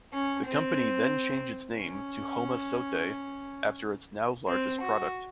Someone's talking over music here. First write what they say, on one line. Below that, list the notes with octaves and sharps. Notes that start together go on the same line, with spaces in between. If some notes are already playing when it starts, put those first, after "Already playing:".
The company then changed its name to Homasote after its now largest product.
C#4
C4
C#4
C4
F#4